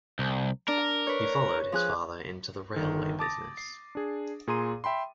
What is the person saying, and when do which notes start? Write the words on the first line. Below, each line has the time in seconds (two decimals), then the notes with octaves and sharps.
He followed his father into the railway business.
0.19 C2
0.68 D4 A#4
1.07 B4 C#5
1.72 F3 G#4 F#6
2.74 G1 D#3 A4
3.19 A5 D6 D#6 A6 A#6
3.57 C7
3.95 D4 G#4
4.47 A#2 G#4 A#5 C6 D#7
4.84 E5 G5 B5 C6